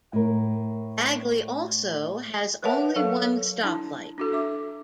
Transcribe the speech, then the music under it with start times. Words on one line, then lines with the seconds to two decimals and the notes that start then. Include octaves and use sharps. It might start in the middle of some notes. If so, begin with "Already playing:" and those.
Bagley also has only one stoplight.
0.13 A2 A#4
2.63 A#4 B4 C#5 E5 F#5 A5
2.96 F#3 A4 F5
3.64 D4 E4 A5
4.18 D4 F#4 A4
4.32 D4 E5 D6